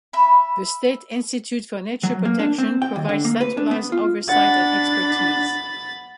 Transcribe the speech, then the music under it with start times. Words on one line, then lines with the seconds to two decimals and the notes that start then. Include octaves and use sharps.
The State Institute for Nature Protection provides centralized oversight and expertise.
0.13 E5 B5
2.03 F#3
2.25 A#3
2.39 D4
2.58 C4
2.82 G5
2.96 D#2
3.09 D3
3.25 A#3
3.41 B4
3.57 D4
3.71 B3
3.92 F4
4.29 D4 F#5 B5 A6